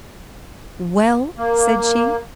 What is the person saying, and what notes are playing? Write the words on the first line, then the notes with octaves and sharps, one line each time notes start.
"Well?" said she.
A#3